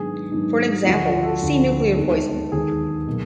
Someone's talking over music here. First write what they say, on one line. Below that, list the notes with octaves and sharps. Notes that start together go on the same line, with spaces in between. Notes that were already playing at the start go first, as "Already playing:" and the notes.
For an example, see nuclear poison.
Already playing: G#2 D#3 F#3 B3 D4 G#4
G#2 D#3 F#3 B3 D4
D2 D3 F3 A3 D4 F#4
F4
A4
D2 D3 F3 A3 D4
D#2 D#3 G#3 B3
D#2 D#3 G#3 B3 G#4
B2 F#3 A#3